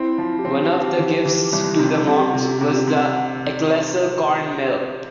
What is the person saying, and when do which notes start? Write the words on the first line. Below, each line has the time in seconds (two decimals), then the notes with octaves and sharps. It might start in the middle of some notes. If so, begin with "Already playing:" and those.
One of the gifts to the monks was the Ecclesall Corn Mill.
Already playing: C4 E4
0.18 F3
0.39 G4
0.45 C4 F4
0.63 G4
0.72 F3
0.81 G4
0.98 E3
1.25 E3
1.53 C2
1.79 C3
2.06 C3 A4
2.20 G4
2.33 C3 F4
2.47 G4
2.60 C3 G4
2.74 F4
2.79 G4
2.87 C3